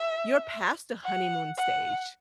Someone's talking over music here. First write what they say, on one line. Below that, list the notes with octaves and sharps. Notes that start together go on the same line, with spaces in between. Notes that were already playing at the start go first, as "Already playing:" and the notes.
you're past the honeymoon stage.
Already playing: E5
F#5
F#5